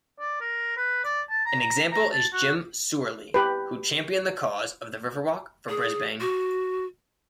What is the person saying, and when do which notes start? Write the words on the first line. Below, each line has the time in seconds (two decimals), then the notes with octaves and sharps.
An example is Jim Soorley who championed the cause of the Riverwalk for Brisbane.
0.19 D5
0.41 A#4
0.77 B4
1.05 D5
1.29 A5
1.45 A#5
1.60 A#5
1.92 A#5
2.11 A5
2.32 F#4
3.34 G4 B4
5.69 G#4
6.20 F#4